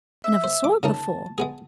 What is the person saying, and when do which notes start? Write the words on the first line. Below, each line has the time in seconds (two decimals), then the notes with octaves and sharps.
I never saw it before.
0.24 E5
0.44 C5
0.64 D6
0.83 C#3 A#3 D#4 A5
1.38 G#3 B3 G#4